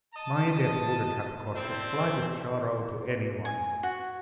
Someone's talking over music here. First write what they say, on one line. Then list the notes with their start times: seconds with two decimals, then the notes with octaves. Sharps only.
My death wouldn't have caused the slightest sorrow to any one.
0.14 D#5 A5
1.56 C4 D4 E4 A4 C5
3.45 G#5
3.83 F#4